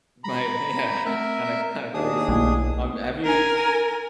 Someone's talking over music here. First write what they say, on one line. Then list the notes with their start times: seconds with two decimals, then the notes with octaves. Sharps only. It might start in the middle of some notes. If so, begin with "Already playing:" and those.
you might Yeah. It's kinda kinda crazy. Um, have you
0.24 A#5 B5
1.06 A3 C4 A#4 E5
1.94 D#2 D4 G#4 D#6
2.28 B1 A3 A#3 E4
3.24 A#4 G#5